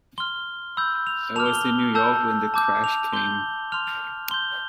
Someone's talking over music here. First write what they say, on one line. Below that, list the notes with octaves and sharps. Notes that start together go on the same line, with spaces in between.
I was in New York when the crash came.
C6 F6 G7
B5 E6 G6
F7
A5 D6 F6 F7
G7
F7
G7
A5 E6 G6
A5 D6 G6
F7
C6 G6 G7
C6 F6 F7
F7
C6 G6 G7